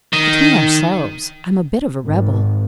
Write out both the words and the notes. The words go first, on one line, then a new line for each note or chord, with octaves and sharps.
Between ourselves, I am a bit of a rebel.'
D#3
G#1